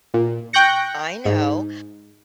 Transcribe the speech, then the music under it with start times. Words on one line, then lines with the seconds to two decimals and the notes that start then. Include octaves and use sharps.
I know,
0.14 A#2
0.53 G5 C#6 F#6 G6 A#6 C#7
1.25 G#2